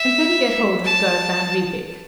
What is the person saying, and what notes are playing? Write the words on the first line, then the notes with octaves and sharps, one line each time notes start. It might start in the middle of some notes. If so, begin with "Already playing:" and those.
And can you get hold of Gerd van Riebeek?
Already playing: E5
A5